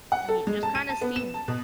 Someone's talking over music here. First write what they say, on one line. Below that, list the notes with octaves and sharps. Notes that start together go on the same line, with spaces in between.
I mean, just kinda see w
F#5
A4
G#3
A5
D#7
A5
B3
E7
A5
B2